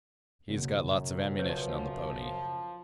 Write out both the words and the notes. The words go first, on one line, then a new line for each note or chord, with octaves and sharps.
He's got lots of ammunition on the pony.
F#1 F#2 B2
F3 B4 C#5